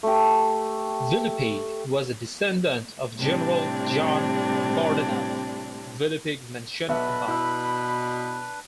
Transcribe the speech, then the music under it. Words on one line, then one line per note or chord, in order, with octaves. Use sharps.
Villepigue was a descendant of General John Bordenave Villepigue mentioned above.
A3 G4
A2 C3 G3 C4 D4
B1 B3 D4 B4 E5 B5
B2 E4 E6